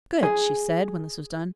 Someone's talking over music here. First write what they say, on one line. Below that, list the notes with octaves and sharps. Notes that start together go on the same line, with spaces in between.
"Good!" she said, when this was done.
G#4